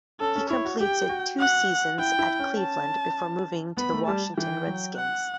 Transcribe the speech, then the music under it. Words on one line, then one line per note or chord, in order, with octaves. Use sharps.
He completed two seasons at Cleveland before moving to the Washington Redskins.
C#4 A4
C#4
E4 C#5
F#4
G4 G5
F#4
F#5
E4 G5
E4
C#4
A5
B3 B5
A3
G3 A5
E3 G5
F#3
F#5